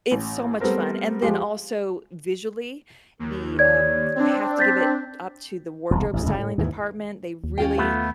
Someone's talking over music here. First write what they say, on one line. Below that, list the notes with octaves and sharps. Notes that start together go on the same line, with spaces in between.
It's so much fun. And then also visually, the um, I have to give it up to the wardrobe styling department, they really,
A1
G3 A3 B3 C4 A#4 C5
F3 G#3 G4
D#2
C#5 D5 G#6
C4 D4
G6 A6 B6
E1 C2
A1 F2
G1 C#2 A2 C#3
A2
D#2 G#2 E3
D#2
C#4 F4 G5
A3 B3 F4 A4